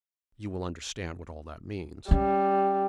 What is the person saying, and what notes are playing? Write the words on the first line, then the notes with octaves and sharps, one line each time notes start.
You will understand what all that means.
G3 C#4